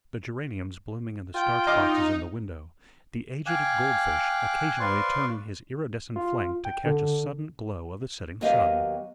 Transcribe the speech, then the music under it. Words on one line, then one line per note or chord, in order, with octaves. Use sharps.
The geraniums blooming in the starch boxes in the window, the aged goldfish occasionally turning his iridescent flank to catch a sudden glow of the setting sun.
F4 G5
D#4 D#5 F5 D6
F5 G5 G#5 D6 F#6
B4 C5 D5 F5 C6 C#6
F4
G5
D3
D#2 F#3 B3 G4 D#5 F5